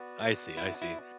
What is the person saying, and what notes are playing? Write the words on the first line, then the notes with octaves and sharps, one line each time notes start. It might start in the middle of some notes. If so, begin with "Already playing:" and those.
I see, I see.
Already playing: B3 F#4 B4 D5
E4
E4